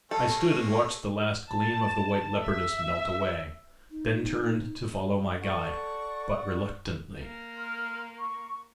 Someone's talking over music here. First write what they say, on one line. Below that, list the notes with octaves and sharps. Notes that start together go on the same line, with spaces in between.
I stood and watched the last gleam of the white leopardess melt away, then turned to follow my guide--but reluctantly.
A3 A#3 C#4 G4 A4 A5 E6
A5
E5
D#4
A4 D5 F#5 C#6
A#3
C6 F6
C#6